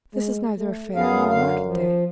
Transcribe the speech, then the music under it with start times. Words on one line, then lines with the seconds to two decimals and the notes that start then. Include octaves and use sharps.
This is neither a fair nor a market day.
0.14 G#3
0.58 A3
0.95 F#2 B3 G#4 F5
1.29 D3 F5
1.63 F3